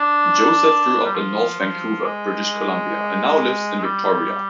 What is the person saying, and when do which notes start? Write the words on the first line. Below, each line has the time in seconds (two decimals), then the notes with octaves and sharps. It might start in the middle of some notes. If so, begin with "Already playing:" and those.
Joseph grew up in North Vancouver, British Columbia, and now lives in Victoria.
Already playing: D4
1.04 G3
1.15 F3
1.60 F3
2.05 G#3
3.79 G#3
3.83 G3